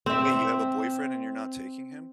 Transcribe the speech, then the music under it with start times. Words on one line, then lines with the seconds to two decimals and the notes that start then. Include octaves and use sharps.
Wait, you have a boyfriend and you're not taking him?
0.06 C4 E5